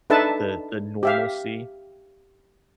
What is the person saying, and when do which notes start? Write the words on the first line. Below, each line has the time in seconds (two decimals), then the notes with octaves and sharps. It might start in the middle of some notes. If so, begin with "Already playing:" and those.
the the normalcy,
0.10 D4 D#4 A4 B4 E5 A5
1.03 G4 E5 F5